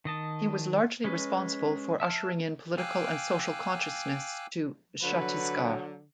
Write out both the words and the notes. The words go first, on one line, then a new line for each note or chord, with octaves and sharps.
He was largely responsible for ushering in political and social consciousness to Chhattisgarh.
D#3 D#5 A5
G#3 C#4 B4
E5 A5 F6
F5 G5 G#5 D6 E6 F#6
D3 F#3 B4